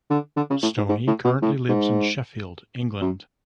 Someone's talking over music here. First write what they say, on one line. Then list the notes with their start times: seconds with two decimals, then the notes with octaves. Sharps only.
Stoney currently lives in Sheffield, England.
0.10 D3
0.36 D3
0.50 C#3
0.63 A2
0.77 G#2
0.89 G#2
1.07 A2
1.24 B2
1.42 A2
1.69 G#2
3.01 F#2